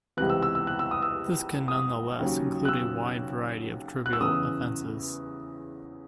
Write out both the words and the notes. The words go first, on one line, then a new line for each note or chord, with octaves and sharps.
This can nonetheless include a wide variety of trivial offences.
C#2 C3 E3 F#6
E6
E6
E6
F#6
E6
D#6
E6
D#6
D#2 C#3 F#3
F#6
E6
F#6
E6
E2 C#3 E3 D#6